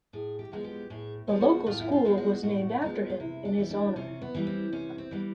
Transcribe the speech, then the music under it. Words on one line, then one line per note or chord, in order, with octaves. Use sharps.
The local school was named after him in his honor.
A2 G#4
G4
F3 G#3 B3 G#4
G4
A2 G#4
F3 G#3 B3
F#4
A2 F4
E4
F4
F3 G#3 B3
F#4
A2 F#4
F3 G#3 B3
F4
C3 E4
D4
E3 G3 B3
D4
C3 C#4
B3
E3 G3 B3
C4
C3 C#4
C4
E3 G3 B3